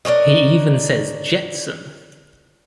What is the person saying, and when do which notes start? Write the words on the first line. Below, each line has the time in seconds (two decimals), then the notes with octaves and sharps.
He even says Jetson!
0.05 D4 A#4 C#5 D#5